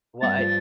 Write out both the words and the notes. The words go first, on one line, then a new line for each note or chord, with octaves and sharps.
well, I
G2 A6
F3